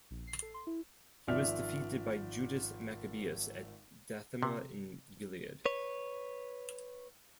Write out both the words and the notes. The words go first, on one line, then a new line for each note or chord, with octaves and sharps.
He was defeated by Judas Maccabeus at Dathema in Gilead.
A#1
C7
A4
C6
E4
G#1 F3 D5 E5 F6
C3
B4 C#5